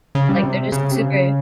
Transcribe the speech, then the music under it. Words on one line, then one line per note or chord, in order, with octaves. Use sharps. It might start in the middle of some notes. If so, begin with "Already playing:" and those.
like, they're just super
C#3
G3
C3
C#3
C3
C#3